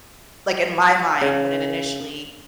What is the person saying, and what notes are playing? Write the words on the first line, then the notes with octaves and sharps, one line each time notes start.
like, in my mind, when it initially
C#3